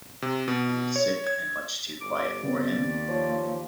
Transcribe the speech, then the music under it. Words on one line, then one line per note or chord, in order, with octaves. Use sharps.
He was sick, and much too quiet for him.
C3
B2
C#5
G#6
G1 D6
C#3 B3 C4 D5
D#2
F3 C5 C#5